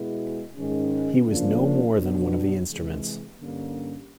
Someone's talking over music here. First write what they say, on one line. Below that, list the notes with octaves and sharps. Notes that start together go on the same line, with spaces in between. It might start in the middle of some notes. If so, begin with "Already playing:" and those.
He was no more than one of the instruments.
Already playing: B2 G#3 B3 E4 G#4
G#2 D#3 G#3 C#4
C#3 F3 A#3 D4 F4
B2 F#3 B3 D4
C3 E3 G#3
G2 D3 G3 A#3 C#4